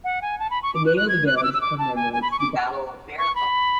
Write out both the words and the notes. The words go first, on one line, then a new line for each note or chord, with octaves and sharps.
The name of the village commemorates the Battle of Marathon.
F#5
G#5
A5
B5
C#6
D6
F#6
F#6
G#6
F#6
D6
E6
E6
D6
A5
G#5
G#5
B5
C#6
D6
C#6
B5